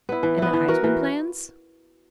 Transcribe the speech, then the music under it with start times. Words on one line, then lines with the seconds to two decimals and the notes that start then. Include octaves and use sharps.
And the Huysman plans?
0.09 B3 E4
0.23 E3
0.38 B3 E4
0.53 E3
0.68 B3 F#4 A#4
0.84 E3